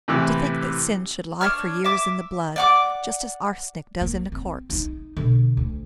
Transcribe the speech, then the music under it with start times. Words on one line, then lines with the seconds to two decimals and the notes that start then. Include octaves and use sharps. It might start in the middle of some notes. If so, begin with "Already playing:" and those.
To think that sin should lie for years in the blood, just as arsenic does in a corpse!
0.08 A2 C3 E3
1.41 D4 C#5 F6
1.84 E5 D6
2.56 D5 F#5 D6
4.01 A#3
4.32 C4
4.70 D4 D#4
5.17 B2 D3
5.57 D2